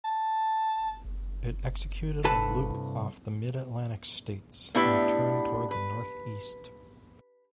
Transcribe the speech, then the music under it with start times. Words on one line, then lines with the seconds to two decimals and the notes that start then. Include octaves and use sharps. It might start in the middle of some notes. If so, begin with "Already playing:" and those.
It executed a loop off the Mid-Atlantic states and turned toward the northeast.
0.04 A5
2.24 C2 G2 A4 B4 A5
4.75 A2 B3 D4 E4 G4 B4
5.71 B4